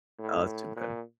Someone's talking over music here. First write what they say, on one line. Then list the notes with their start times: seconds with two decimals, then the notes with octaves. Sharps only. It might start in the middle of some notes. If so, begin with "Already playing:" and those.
Oh, that's too bad.
0.19 A2
0.76 A#2